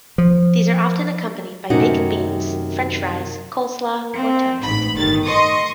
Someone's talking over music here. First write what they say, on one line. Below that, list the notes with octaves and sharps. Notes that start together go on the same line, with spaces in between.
These are often accompanied by baked beans, French fries, coleslaw, or toast.
F3
F#2 C3 D#3 A3 D#4 F#4
C4
A1 G#2 B5
G1 D#3 A6
D#5 C6 C#6 D#6